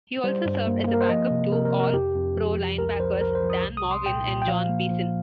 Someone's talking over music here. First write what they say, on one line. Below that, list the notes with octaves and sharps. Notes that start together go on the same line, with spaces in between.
He also served as a backup to All-Pro Linebackers Dan Morgan and Jon Beason.
G3 C5
G2
A#3
A#3
A#4
C5
F3 D#5
C3
C3 A#4
A#4
C3
A#4
F2 G4
F2
F3
F2
C2 A#4
F3 C5
C2 A#4
C5
F3
D#6
C2
D#6
C2
C6
A#2 G5
A#2
G5
F3 F5
A#3
F3